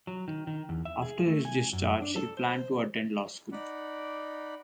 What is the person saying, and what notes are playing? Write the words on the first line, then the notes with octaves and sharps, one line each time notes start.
After his discharge he planned to attend law school.
F#3
D#3
D#3
E2
E5
G#4
A3
G#5
F#2
D4
A4
C5
D#4 D5 F#5 B5